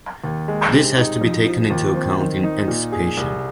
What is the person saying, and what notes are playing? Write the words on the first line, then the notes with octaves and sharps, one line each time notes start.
This has to be taken into account in anticipation.
D#2
G#3
C3
D#4
F2
F3
D#2
C4
D#3
D#4
A#2
G#4
C2